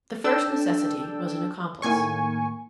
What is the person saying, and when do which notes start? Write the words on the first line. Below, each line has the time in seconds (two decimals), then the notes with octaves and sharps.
The first necessity was an accomplice.
0.24 D4 A4 G5 A5 E6
1.82 A2 D#3 A#3 G#5 C#6